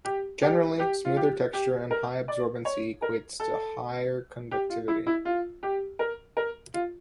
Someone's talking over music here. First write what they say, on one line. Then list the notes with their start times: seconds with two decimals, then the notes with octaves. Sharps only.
Generally, smoother texture and higher absorbency equates to higher conductivity.
0.05 G4
0.42 G4
0.79 G4
1.05 F4
1.17 G4
1.53 G4
1.91 A#4
2.28 D5
2.65 C#5
3.02 A#4
3.40 A4
4.51 G4
4.70 F4
4.88 E4
5.07 E4
5.25 F4
5.63 G4
5.99 A#4
6.37 A#4
6.74 F4